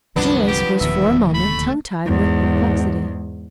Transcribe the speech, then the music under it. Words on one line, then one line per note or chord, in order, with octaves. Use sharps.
Joyce was, for a moment, tongue-tied with perplexity.
C2 F#2 D3 F3 F#3 B3 D4
G4
D1 D#2 C3 E5
A3 B5
E2 G#2